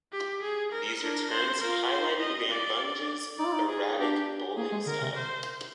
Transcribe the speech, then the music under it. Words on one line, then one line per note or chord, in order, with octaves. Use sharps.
These returns highlighted Van Bunge's erratic bowling style.
G4
G#4
A#4
D4 A#4
C5
F4 A#4
C5
D#5
D5
D#4 D5
F4
D#4
G#4
D4 G4
A#3 G#4
G#3
D3 A#4
C3
C5